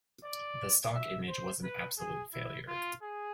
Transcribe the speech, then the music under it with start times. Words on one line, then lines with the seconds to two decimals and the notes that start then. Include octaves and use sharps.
The stock image was an absolute failure.
0.25 D5
0.94 E5
1.28 C5
1.63 B4
1.98 G#4
2.33 E4
2.68 F4
3.02 G#4